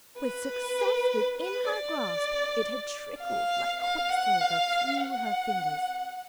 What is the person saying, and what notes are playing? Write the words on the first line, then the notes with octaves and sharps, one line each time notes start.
With success within her grasp, it had trickled like quicksilver through her fingers.
B4
B4
D5
F5
F5
F#5
F5
F#5